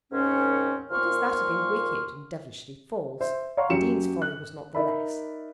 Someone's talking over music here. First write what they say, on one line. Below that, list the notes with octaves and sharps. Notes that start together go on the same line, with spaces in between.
Because that had been wicked and devilishly false, the Dean's folly was not the less.
D#2 G#2 D#3 C4 C#4
D#2 A#2 F3 C6 C#6 F6
C5 E5
C#5 F5 F#5 A#5 C6 C#6
F#2 F#3 G4 C#7 E7
F#6
D#4 A#4 D5 E5 B5